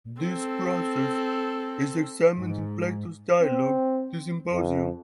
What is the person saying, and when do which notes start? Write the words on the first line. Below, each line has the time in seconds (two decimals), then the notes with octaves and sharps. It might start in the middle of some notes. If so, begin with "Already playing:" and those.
This process is examined in Plato's dialogue the "Symposium".
0.21 C4 A4
2.37 G#2
3.42 C4
4.52 F2